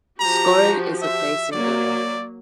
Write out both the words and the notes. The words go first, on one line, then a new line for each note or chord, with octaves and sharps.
Soccoro is a place in Goa.
F3 F#4 G4 A#5
E5
F#3 A#3 D5